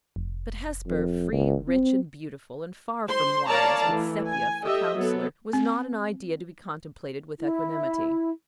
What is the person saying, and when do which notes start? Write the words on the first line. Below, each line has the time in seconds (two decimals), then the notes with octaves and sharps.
But Hesper, free, rich, and beautiful, and far from wise, with Sepia for counselor, was not an idea to be contemplated with equanimity.
0.16 F1
0.87 F2
1.32 C#2
1.68 C4
3.09 C5 C6
3.49 A#4 C#5 D5 F5 A5 A#5
3.85 E3 A3
4.30 G#5
4.63 G4 A4 D#5 E5
4.95 F#3 B3 A4
5.53 C4
7.39 E4